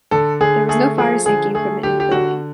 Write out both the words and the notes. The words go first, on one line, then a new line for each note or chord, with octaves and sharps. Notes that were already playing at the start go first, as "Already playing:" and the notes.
There was no fire safety equipment in the building.
D3 A4
D3 G#4
A3 G#4
F3 G#4
D3 G#4
A3 G#4
D3 G4
G4
D3 F#4